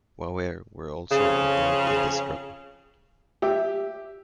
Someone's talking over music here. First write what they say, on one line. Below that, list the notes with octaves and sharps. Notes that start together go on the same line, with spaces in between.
Waware were also involved in this struggle.
F2 C#3
G4 E5